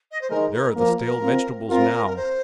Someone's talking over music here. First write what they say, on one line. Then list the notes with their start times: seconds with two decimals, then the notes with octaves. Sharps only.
There are the stale vegetables now.
0.11 D#5
0.21 C5
0.30 D#3 G#3 A#4
0.53 A#4
0.76 F3 A#3 A#4
0.99 A#4
1.23 C4 F4
1.69 C4 F4 A#4
2.07 A#4
2.16 C5